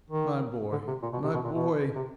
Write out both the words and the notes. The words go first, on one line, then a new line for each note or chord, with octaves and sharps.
My boy! my boy!
D#3
D3
C3
A#2
B2
C3
B2
A#2
B2
C3